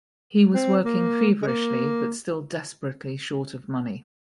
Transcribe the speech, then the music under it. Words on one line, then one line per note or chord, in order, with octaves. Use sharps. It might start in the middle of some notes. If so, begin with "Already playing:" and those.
He was working feverishly but still desperately short of money.
C4
A#3
G#3
A#3